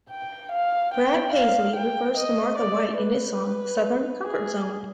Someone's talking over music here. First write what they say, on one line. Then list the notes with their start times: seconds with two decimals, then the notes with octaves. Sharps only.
Brad Paisley refers to Martha White in his song "Southern Comfort Zone".
0.11 G5
0.52 F5
0.94 G5
1.34 F5
1.76 G5
2.17 D#5
2.58 D5
3.00 B4
4.24 G#4